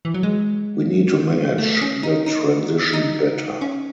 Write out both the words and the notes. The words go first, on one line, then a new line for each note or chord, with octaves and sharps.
We need to manage the transition better.
E3
F#3
G#3
A3
C#4
D#4
D#4
D#4
C#4